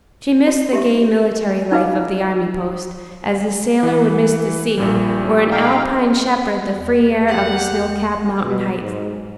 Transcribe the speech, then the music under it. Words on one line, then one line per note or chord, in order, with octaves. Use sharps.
She missed the gay military life of the army post, as a sailor would miss the sea, or an Alpine shepherd the free air of his snow-capped mountain heights.
F#4
G4 E5 C#6
D#4 F4 B4 D#5 F5 D6
D#4
E3
A#1 A#2 G3
D#4 F5 G5
E2
G4 F#5
B2
G#2